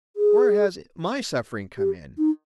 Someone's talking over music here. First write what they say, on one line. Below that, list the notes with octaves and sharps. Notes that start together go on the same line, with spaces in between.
Where has my suffering come in?
G#4
G4
D#4